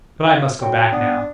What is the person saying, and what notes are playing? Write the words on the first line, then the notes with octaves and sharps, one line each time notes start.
But I must go back now.
F4
F#3 G5
B3 D4